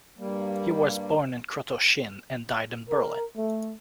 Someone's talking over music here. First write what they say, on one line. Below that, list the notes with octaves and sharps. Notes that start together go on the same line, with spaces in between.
He was born in Krotoschin and died in Berlin.
G2 G3 A#3
A#4
A3